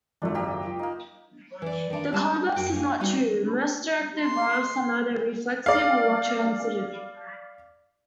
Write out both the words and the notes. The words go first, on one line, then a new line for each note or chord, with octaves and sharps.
The converse is not true: most directed graphs are neither reflexive nor transitive.
G#1 C#2 F#2 A3 D4
A#3 G4 D#5
F4
A#3 D#4
E3 D5
D#3 D4
G3 G#3 A5
F#2 F#4 G5
A#3 C#4
G3 B3 D#4 F#4
C6
D5 F5